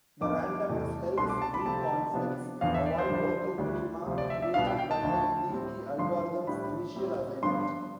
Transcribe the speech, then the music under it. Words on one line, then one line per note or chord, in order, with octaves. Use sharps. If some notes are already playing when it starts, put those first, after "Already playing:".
The randomness helps min-conflicts avoid local minima created by the greedy algorithm's initial assignment.
F2 D3 F3 B3 D6
E2 C3 E3 A3
C2 B2 A3 D4 C6
D6
A5
B5
C3 F3 A3 C4 A5
C3 F3 B3 D4
E2 D3 F3 B3 F5
E5
D5
C5
F2 D3 G3
D2 D3 G3 D4
D2 C3 F3
D5
E5
E5
C2 B2 B3 D4 F5
G5
G5
A5
D2 D3 F3
A2 G3 C4
G2 D3 F3 C6
A2 G3 D4 B5
A2 G3 C4
G2 D3 F3 B3 D4 C6